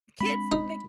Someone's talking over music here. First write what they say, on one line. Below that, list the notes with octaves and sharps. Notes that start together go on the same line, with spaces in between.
kids, the
G#3 C4 D4 B5
D#4